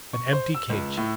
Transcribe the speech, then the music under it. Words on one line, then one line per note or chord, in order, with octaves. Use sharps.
An empty cage!
C#6
C5
E6
C#2
A2